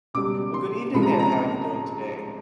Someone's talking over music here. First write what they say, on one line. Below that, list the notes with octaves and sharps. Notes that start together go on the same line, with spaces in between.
Well, good evening, there. How are you doing today?
C#2 B2 G3 D6
C6
C#2 C3 F3 G#3 B5
A#5
A5
A#5